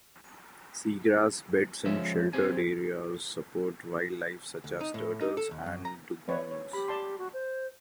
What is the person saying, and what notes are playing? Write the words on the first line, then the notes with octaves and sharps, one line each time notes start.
Seagrass beds in sheltered areas support wildlife such as turtles and dugongs.
F3 G#3 C#4 E5
C4 G4 G#4 G#5
D2
D#4
A2
D#4
A4
D#2
F#2
A#5
B4 C#5
C#5
G4 B5
D5 A5 C6
F#4
C5